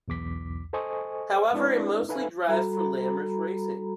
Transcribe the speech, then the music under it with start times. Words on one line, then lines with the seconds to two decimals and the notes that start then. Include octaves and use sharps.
However he mostly drives for Lamers Racing.
0.08 B1 E2 D6 B6
0.73 A4 C5 D#5 G#5 C#6 D#6
1.53 G#3 C4 D4 E4 B4 D5
2.09 D#4 A4 B4 E5 F5 G#5
2.48 G3 F#4 A4 A#5 B5